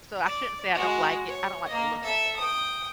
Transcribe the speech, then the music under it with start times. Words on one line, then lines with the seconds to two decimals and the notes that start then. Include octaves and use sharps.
so I shouldn't say I don't like it. I don't like the look of it.
0.25 D5
0.74 G#3 F#4
1.27 C#5
1.66 A#3 D#5
2.02 A4 E5
2.36 G5 D#6